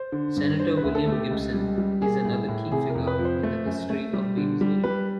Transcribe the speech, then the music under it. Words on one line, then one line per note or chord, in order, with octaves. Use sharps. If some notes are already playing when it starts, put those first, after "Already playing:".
Senator William Gibson is another key figure in the history of Beamsville.
Already playing: C5
D3
G2
D3 C5
B4
D2
A4
A3 G4
C#2
G3
G3
A#3 G#4
A2
A2
C3 G#4
A#4
F2
B4
F3
C5
A3
F#2
A3
G3
D3
G3
G3 B4